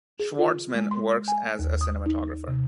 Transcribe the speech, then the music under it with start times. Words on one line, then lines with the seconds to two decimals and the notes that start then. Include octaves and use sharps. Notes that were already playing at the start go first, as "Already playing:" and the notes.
Schwartzman works as a cinematographer.
0.20 G#4
0.38 F4
0.75 G#3
0.91 C6
1.28 G#5
1.59 D#2
1.81 D#6
2.06 D#4
2.48 C3